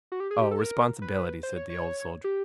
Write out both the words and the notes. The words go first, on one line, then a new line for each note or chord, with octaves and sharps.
Responsibility!' said the Old Soldier.
F#4
G4
G#4
G4
A4
A#4
B4
C5
C#5
C#5
G4